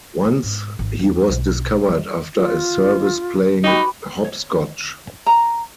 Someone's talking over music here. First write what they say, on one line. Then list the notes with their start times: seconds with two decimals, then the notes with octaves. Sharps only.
Once he was discovered after a service playing hopscotch.
0.25 C#4
0.43 G#2
0.79 G#1
0.99 E2
1.30 B1
1.88 G3
2.36 F4
3.64 D#4 F#4 G4 B4
4.24 C#5
5.26 A#5